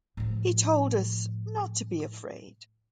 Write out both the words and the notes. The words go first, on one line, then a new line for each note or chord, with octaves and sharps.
He told us not to be afraid.
A2 F3